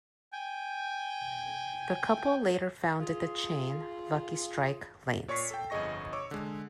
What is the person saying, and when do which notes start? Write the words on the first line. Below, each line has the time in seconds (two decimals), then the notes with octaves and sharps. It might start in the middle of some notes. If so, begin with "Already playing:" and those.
The couple later founded the chain Lucky Strike Lanes.
0.33 G5 G#5
3.01 F4 G#4
5.28 A#2 C#5 D5 C#6 B6 C7
5.51 A4 G5
5.70 G1 F2 G#4 D#5 C#6 A#6
6.13 C#5 C#6 D6 E6
6.31 D3 G#3